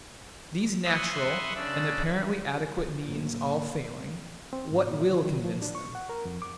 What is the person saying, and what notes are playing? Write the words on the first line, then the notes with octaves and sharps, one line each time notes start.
These natural and apparently adequate means all failing, what will convince them?
B4 E5 F#5 C6 C#6 D#6
C#3 D4 D5 E6
A2 C3 F#3 A#3
C4
G#2
A#2
D3
D#3
F3
D4
C#6
F#5
A#4
F2
D6